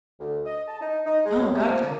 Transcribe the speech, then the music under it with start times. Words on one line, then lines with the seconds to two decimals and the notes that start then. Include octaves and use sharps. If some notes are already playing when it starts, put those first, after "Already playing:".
Oh, gotcha.
0.20 D2
0.45 D#5
0.68 A5
0.81 D#4
1.06 D#4
1.26 G#3
1.40 F#2
1.55 C3
1.70 F3
1.87 A#3